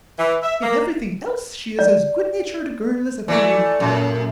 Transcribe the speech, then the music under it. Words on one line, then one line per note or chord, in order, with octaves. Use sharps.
In everything else she is as good-natured a girl as ever lived.
E3
E5
A#3
D5
E3 A3 D5
F#2 A#2